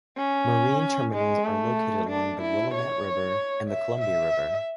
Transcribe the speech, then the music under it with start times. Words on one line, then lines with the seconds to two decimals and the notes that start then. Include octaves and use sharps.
Marine terminals are located along the Willamette River and the Columbia River.
0.17 C#4
1.13 G#3
1.45 A3
2.09 D4
2.41 E4
2.74 C#5
3.70 E5
4.01 E5